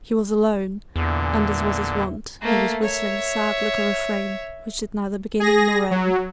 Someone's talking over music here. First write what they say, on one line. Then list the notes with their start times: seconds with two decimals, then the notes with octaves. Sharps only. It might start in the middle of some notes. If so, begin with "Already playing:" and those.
He was alone, and, as was his wont, he was whistling a sad little refrain which had neither beginning nor end.
0.96 E2 A#2 D3
2.42 A3 A#3
2.83 C#5 E5
5.40 G#4 A#6
5.91 F#3